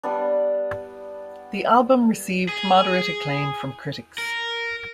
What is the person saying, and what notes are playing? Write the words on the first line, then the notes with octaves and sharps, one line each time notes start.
The album received moderate acclaim from critics.
G3 B3 D4
G#4
A#4